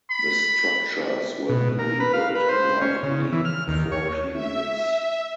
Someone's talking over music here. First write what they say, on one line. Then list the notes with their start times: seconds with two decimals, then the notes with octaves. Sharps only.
The structures were rebuilt in roughly four periods.
0.10 B5
1.49 B2
1.79 A#4
2.00 B4
2.13 F5
2.35 B4
2.49 C5
2.82 C#4
3.03 C#3
3.32 E3
3.45 F6
3.68 D#2
3.92 C#5
4.33 E5